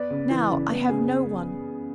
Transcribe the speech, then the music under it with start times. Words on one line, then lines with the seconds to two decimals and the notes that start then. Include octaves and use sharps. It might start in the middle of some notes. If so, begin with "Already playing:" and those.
Now I have no one.
Already playing: B3 B4 D5
0.10 C#3
0.30 E3
0.50 C#3
0.69 B3
0.89 C#3 G#4